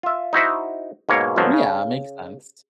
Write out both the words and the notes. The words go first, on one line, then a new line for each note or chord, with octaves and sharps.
Yeah, makes sense.
F4 E5
D#4 E4 F#4 C5 E5
G#2 B2 A#3 C#5
G#1 F#2 B2 D3 F3 F#3
C#3